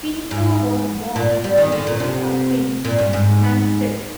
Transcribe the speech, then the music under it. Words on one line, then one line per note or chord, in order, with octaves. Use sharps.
Pinto was born and grew up in Hampstead.
G#2
A#2
G3
D#3
D3
A#2
C3
A#2
G2
G#2